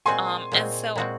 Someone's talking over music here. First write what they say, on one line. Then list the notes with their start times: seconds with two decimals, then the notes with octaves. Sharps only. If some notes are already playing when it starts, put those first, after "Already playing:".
um, and so
0.06 A#2 G#3 C4 F#4 G#5 C6
0.52 A#2 G#3 C4 F#4
0.96 A#2 G#3 C4 F#4